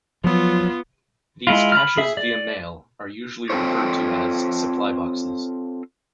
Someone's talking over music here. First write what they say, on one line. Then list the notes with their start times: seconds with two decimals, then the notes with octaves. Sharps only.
These caches-via-mail are usually referred to as "supply boxes".
0.24 F3 F#3 B3 F4
1.47 G#3 E4 F4
1.72 B5 F6
1.97 G#4 E5
2.17 D5
3.50 C4 F4 A4 C5 C#5